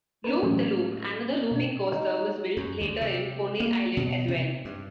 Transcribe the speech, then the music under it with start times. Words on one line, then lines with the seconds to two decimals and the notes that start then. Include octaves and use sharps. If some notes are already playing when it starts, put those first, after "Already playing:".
Loop the Loop, another looping coaster, was built later in Coney Island as well.
0.24 D4 A#4 B4
0.43 A2 E3 F#3 A3 C#4
1.51 B2 D4
1.91 D#4
2.57 F#2
2.81 D2
3.01 C3
3.60 A#3
3.97 B2
4.28 C3
4.65 G2